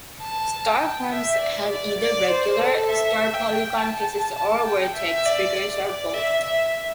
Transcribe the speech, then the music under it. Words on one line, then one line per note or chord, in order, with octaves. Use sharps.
Star forms have either regular star polygon faces or vertex figures or both.
A5
G5
E5
D5
D5
D5
C5
A4
E5
G5
A5
G5
E5
D5
D5
E5
E5